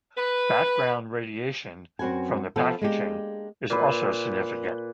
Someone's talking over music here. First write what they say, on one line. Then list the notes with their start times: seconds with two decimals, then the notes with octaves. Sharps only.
Background radiation from the packaging is also significant.
0.16 B4
1.99 F#2 C4 F#4 B4 G#5
2.56 F3 B3 A4
2.81 G#3 A#3 D4 G4
3.70 A#2 B4